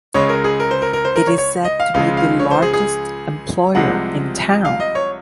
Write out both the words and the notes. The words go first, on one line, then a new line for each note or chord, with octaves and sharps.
It is said to be the largest employer in town.
C#2 C#3 G#3 C#5
A#4
G#4
A#4
C5
A#4
A#4
C5
A#4
C#5
C#5
D#5
F5
C#2 C#3 F3 G#3 F5
F5
C#5
C5
G#4
G#4
C2 C3 F3 G#3 F#5
F5
D#5
C#5